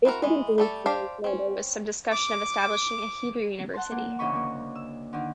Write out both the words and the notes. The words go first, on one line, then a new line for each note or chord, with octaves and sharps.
They stayed in Jerusalem where there was some discussion of establishing a Hebrew University.
C4 E4 F#4 A#4
E3 G#3
G3 A3 A4
D4 G4 C5 F5
C4 C#4
D6
F#5 A5 C6
A#3
D2 C#3 E3 D#5 B5 C#6
A#3
E6
D3 D#3